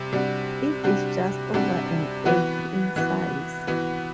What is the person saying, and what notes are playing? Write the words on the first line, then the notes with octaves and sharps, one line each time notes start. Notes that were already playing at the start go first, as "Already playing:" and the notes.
It is just over an acre in size.
Already playing: C3 G3
C3 G3 D4 F#4
C3 G3 D4 F#4
C3 G3 D4 F#4
E3 B3 F#4 B4
E3 B3 F#4 B4
E3 B3 F#4 B4